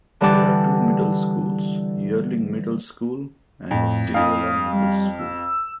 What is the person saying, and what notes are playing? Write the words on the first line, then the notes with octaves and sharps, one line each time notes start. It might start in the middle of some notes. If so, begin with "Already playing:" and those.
There are two middle schools: Yearling Middle School, and Osceola Middle School.
D3 E3 G3 F#5 A5 D6
F2 A2
F2 F5 D#6
G3
E6